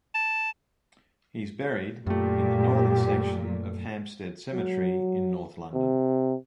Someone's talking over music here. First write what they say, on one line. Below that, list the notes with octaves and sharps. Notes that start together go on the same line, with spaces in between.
He is buried in the northern section of Hampstead Cemetery in north London.
A5
F#2 A#2 A3 G4
F#3
C3